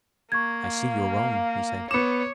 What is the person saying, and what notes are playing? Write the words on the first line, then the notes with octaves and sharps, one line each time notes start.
"I see you're on," he said.
A#3 C#6 G#6
F5
B3 C#5 D6 C#7 E7